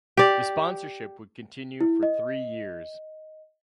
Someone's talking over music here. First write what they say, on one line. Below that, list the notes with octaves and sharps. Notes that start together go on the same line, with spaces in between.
The sponsorship would continue for three years.
G4 D5
E4
D#5